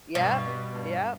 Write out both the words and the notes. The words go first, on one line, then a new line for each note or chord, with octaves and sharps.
yup, yup.
G2 B2
G3 B3 G4
G2